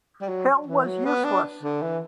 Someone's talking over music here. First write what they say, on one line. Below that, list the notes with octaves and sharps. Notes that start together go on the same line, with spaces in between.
Hill was useless.
G3
F#3
E3
F#3
B3
D4
D3
E3